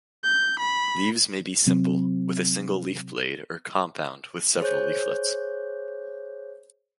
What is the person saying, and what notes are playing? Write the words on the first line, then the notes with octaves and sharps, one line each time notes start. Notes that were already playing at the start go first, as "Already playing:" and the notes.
Leaves may be simple, with a single leaf blade, or compound, with several leaflets.
G6
B5
C3 F#3 C4
G#4 C5 C#5 F#6 G6